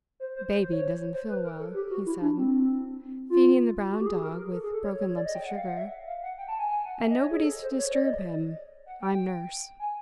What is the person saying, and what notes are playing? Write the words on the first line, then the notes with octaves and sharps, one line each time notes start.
"Baby doesn't feel well," he said, feeding the brown dog with broken lumps of sugar, "and nobody's to disturb him--I'm nurse."
C5
C5
C5
C5
C#5
C5
B4
A#4
A4
G4
F#4
E4
D4
C4
F4
F#4
G4
G#4
A#4
A#4
A4
G#4
A4
C#5
C#5
D5
D#5
G5
F#5
F5
F#5
E5
F5
F#5
G5
A5
G#5
G#5
F#5
E5
D#5
C#5
G#4
A4
C5
C#5
D5
D#5
F#5
G5
G#5